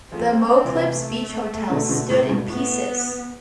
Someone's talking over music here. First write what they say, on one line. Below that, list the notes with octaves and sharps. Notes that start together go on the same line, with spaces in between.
The Moclips Beach Hotel stood in pieces.
F3 A3 C4
C3 E3
A3
B2 D3
B2 D3
A2 C3
G2 B2
A2 B3